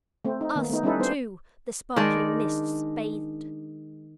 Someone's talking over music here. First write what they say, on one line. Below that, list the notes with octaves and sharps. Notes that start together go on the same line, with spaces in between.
Us, too, the sparkling mists bathed.
A3 C4
D#4
D#3 A#3 B3
A3 B3 D#4
G3 C#4 D#4 E4 A4 B4
B3 D4 C5
D#3 G#3 D4 D5